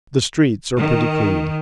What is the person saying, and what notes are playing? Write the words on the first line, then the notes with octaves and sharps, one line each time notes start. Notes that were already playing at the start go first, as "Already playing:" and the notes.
The streets are pretty clean.'
D#3